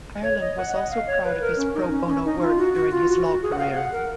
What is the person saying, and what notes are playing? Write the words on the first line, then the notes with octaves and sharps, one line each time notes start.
Ireland was also proud of his "pro bono" work during his law career.
C#5
D#5
F#5
D#5
F5
C#5
B4
A#4
C#4
D#4
C#4
C#4
D#4
F4
F#4
F#4
F4
F#4
F#4
G#4
F#5
F5
F#5
A#4